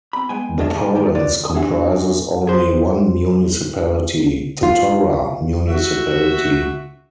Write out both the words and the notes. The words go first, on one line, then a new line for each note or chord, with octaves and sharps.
The province comprises only one municipality, Totora Municipality.
C4 B5
G#3 B3 G5 G#5
G#3 D4 F4 C#5 D#5 E5
D#3 G3 A#3 G#5
A2 D#3 F3 G3 A#3
F4 B4 C#5 D5
D4 G4 E5 F#5 G#5
G#4 C5
F4
F#4 E5